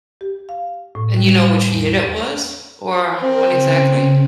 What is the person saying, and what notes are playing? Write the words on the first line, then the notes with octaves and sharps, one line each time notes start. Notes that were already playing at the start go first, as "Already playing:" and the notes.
And you know which year it was, or when exactly?
G4
F5
A2
G3
E2
C4 A#4
C#3